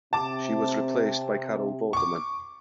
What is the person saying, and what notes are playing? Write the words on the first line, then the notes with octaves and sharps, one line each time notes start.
She was replaced by Carol Vorderman.
C3 A5 D6
C#6 D6